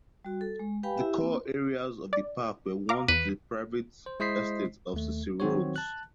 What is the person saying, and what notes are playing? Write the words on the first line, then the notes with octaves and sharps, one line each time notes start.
The core areas of the park were once the private estate of Cecil Rhodes.
G3 F#4
A4
G#3
G4 B4 F5 G5 G#5 B5
E4 G4 E5
A#3 C4
D5
F5 A#5 D6
E2 B4
C5
G#3 E4 C5 D#5 B6 C7
D#2 A3
D#3 F#3 C4 F#4 C5 C#5
A5 F#6